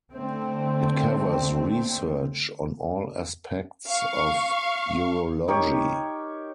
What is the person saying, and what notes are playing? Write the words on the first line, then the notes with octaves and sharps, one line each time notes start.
It covers research on all aspects of urology.
D3 A3 C4
F5 C#6
D#4 G4 A#4 C#5